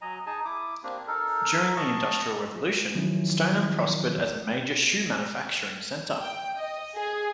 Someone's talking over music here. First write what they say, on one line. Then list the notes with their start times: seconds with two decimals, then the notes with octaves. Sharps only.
During the Industrial Revolution, Stoneham prospered as a major shoe-manufacturing center.
0.01 F#3 D#5 G#5 A#5
0.26 D#4 G#4 G#5 A5
0.45 E4 D6 D#6
0.83 A#3 C4 D4 G4
1.07 D#4 A4 A#4
1.76 D#5 A5 C#6
2.95 D#3 F3 F#3 C#4 E4
6.21 G5
6.57 D#5
6.96 G#4